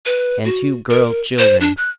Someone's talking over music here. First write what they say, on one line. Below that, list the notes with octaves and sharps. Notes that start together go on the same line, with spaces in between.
And two girl children.
B4
F#4
A#4
C5
D4
F#6